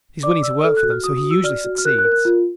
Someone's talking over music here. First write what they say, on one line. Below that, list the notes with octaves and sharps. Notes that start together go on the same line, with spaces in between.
He is willing to work for them, so he usually succeeds.
D5 D6
D5 E6
A4 F6
F#6
F#4
F6
F#4 D#6
D#6
F#4
E6
D5 F6
F#4
F6
A#4 F#6
F#6
A#4
F#6
F4